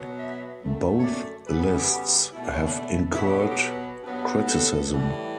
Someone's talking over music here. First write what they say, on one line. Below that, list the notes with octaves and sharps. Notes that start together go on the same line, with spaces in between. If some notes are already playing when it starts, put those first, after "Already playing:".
Both lists have incurred criticism.
Already playing: B2 F#3 B3
E5
F#2 D3 A3
C#5
D5
C#3 G3 B3 B4
A4
A4
G4
F#4
B2 A3 E4
D4
C#4
D4
E4
B2 F#3 B3 F#4
G4
A4
G4
B4
G2 F#3 B3
A4
A2 E3 G3